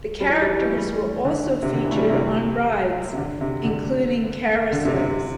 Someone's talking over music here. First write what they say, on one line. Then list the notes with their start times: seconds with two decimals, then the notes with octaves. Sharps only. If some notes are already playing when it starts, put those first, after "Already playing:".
The characters were also featured on rides, including carousels.
0.20 G3
0.30 E3
0.41 G3
0.54 G3
0.65 A3
0.78 G3
1.25 D3
1.62 C3
1.73 D3
1.85 E3
1.91 A3
1.97 G3
2.10 C3
3.13 C3
3.17 D3
3.41 C3
3.65 D3
4.73 D3
4.85 C3
4.97 C3